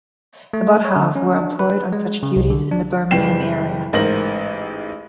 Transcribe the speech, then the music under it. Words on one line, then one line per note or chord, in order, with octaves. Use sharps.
About half were employed on such duties in the Birmingham area.
A3
C#5
D3
C#4
D4
B4
G#3
C#3
C2
D3
D4
F#1 E3 G3 G5 C7 E7
A1 G#2 A#4 C5 A#6 F#7